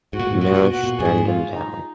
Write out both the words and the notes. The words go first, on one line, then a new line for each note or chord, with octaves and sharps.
Mirisch turned him down.
G#2 F#4
A#2
G#2
A#2 F#4
A#2
B2
F#4
A#2
F#2 G#4
G#2
F4
D#4